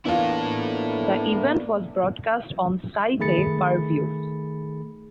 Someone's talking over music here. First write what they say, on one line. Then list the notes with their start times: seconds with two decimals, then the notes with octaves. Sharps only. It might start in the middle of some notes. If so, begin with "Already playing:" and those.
The event was broadcast on Sky Pay per view.
0.06 E3 A#3 B3 D4 E4 F4 A4
3.20 D#3 A3 G#4 B5 A6 C#7